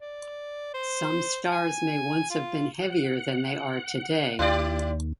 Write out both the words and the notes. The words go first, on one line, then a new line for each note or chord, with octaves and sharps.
Some stars may once have been heavier than they are today.
D5
C5
G#5
F4
F#5
D#2 E4 G4 D5